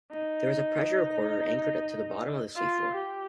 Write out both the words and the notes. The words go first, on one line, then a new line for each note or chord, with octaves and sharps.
There is a pressure recorder anchored to the bottom of the sea floor.
D#4
F4
G4